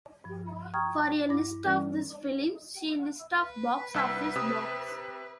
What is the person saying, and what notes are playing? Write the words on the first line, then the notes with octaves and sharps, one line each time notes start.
For a list of these films, see List of box office bombs.
G2 F3
G5 A#5 C#6 D#6 F6 G#6
G2 E4 D6 A#6
E3 G3 C#4 A#4 D5
B4
C2 E6 B6
C3 D#6